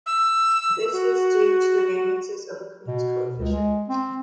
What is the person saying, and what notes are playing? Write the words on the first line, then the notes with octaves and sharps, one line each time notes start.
This is due to the variances in Okun's coefficient.
E6
F#4
B2
C#2
G#3
C4